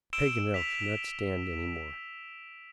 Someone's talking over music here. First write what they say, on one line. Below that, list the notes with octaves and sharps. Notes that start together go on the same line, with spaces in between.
Paganel could not stand any more.
E6 D7 E7 G7
B6 F7